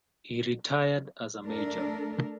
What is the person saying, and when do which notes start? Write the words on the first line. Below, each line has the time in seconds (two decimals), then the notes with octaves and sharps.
He retired as a Major.
1.44 A3 D4 A4 A#4